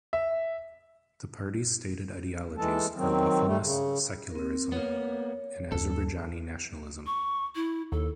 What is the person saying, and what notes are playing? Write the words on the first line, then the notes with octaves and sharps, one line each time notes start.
The party's stated ideologies are lawfulness, secularism, and Azerbaijani nationalism.
E5
E3 G#3 A4 A5
D#3 F#3 C4
G3 A3
C#3
C4 A#4
A#3 B3 C#5
D#2 A4
C#6
E4
D#2 A4